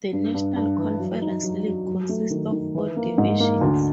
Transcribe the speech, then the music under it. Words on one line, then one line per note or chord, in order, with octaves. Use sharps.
The National Conference League consists of four divisions.
G2
G2
G2
E3
F#3
D#4
F#3
F#3
F#3
A3
D#3
D#3
E3
A#3
G#2
A#3
D2